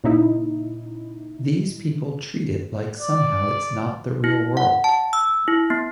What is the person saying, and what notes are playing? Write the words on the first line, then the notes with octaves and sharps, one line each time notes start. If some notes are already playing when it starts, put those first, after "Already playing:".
These people treat it like somehow it's not the real world.
A#2 C#3 D#4 E4
D5
E4
F#5
A5
E6
E4
B3